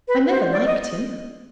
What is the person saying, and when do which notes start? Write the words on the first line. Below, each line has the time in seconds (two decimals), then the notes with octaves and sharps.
'I never liked him.
0.08 B4
0.30 C5
0.52 D5
0.66 D#5